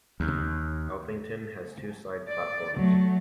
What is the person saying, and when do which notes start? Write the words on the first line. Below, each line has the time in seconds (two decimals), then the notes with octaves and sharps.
Alphington has two side platforms.
0.20 D#2
2.28 D5
2.75 F#3 A3